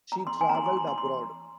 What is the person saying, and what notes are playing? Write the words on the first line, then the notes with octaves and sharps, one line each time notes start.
She travelled abroad.
A#5
C6
G#5
A#5
C6
C#6
C6
C6
C6